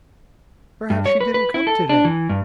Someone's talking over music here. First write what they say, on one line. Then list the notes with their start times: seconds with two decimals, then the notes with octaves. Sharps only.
"Perhaps she didn't come today."
0.90 G2
1.06 C#5
1.21 B4
1.34 B4
1.54 E4
1.67 A4
1.89 D4
2.05 E3
2.29 G2